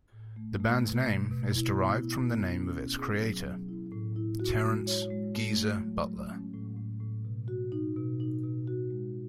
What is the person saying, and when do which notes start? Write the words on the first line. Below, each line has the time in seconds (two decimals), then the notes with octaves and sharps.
The band's name is derived from the name of its creator: Terence "Geezer" Butler.
0.12 A2
0.36 A3
0.60 A3
0.84 B2
1.07 B2
1.31 B2
1.55 E4
1.78 B3
2.02 E4
2.26 B3
2.50 C#4
2.74 C#4
2.97 G#4
3.21 F#3
3.44 F#3
3.69 E4
3.92 A2
4.16 E4
4.40 F#4
4.64 G#3
4.87 C#5
5.10 G#3
5.35 A3
5.59 A3
5.82 F#3
6.05 F#3
6.30 C#4
6.53 A2
6.77 A2
7.01 A2
7.25 B2
7.48 F#4
7.72 D#4
7.96 B2
8.20 D#4
8.43 B2
8.67 F#4
8.90 G#3